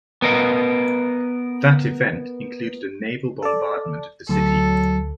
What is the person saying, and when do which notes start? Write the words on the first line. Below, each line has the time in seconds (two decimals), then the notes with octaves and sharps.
That event included a naval bombardment of the city.
0.22 B3 A#4 D#5
3.42 A4 D5
4.29 D2 F#3 A4